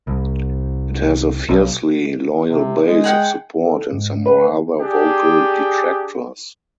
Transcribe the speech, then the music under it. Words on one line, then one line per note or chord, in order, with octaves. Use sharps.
It has a fiercely loyal base of support and some rather vocal detractors.
C2
B1
C3
G#3
G#4 F#5 G5
A4
G#2
B4
D4 G4 G#4